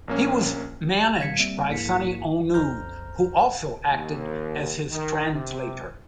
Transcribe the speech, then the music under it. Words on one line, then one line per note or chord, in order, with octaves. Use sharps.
He was managed by Sonny Onoo, who also acted as his translator.
A#1 A#3 C#4
D#3 G3 F5 G#6 B6 C#7
G3 A#3 C4 E5
A#1 G#2 A#3 E4 B6 C#7
B1 F2 C5 A#5 F6 G6
D#2
D#3
C3